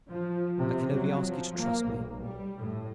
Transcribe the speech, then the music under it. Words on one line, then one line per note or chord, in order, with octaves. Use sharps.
I can only ask you to trust me.
F3
C3
F#3
F3
A#3
B1
G3
A2